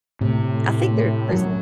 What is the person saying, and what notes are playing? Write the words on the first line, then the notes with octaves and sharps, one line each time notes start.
I think there those
A2 C3
F#2 F#3